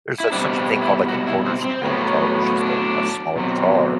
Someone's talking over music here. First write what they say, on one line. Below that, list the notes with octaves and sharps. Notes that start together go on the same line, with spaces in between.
there's such such a thing called, like a quarter scale guitar where it's just a a smaller guitar,
E4
B2 G3 C4 D4
D4
E4
F#4
E4
C4
C4
A2 F#3 B3
D4
B2 F#3 C4